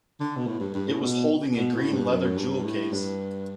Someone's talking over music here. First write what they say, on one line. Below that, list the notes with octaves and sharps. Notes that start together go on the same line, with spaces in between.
It was holding a green leather jewel-case.
D3
B2
A2
G2
G2
A2
B2
B2
A2
G2
F#2
G2
A2
G2